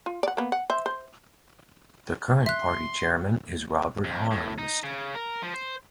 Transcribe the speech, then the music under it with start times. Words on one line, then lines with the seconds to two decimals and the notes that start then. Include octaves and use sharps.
The current party chairman is Robert Harms.
0.06 F4
0.23 D5 F#5
0.37 A#3 B3
0.52 F#5
0.70 C5 E5
0.86 C5
2.46 E5 C6 F#6
4.04 F2
4.31 A2
4.58 D#4
4.84 C#3
5.15 A#4
5.42 F3
5.54 C5